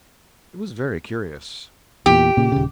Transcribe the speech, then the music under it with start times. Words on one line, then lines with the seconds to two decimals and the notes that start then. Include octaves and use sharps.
It was very curious.
2.06 E2 A#2 G4
2.37 A#2 C#3
2.52 D#1 C#3